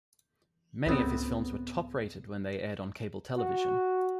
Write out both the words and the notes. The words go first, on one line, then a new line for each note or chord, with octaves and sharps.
Many of his films were top rated when they aired on cable television.
C#2 A2 B3 C4
F#4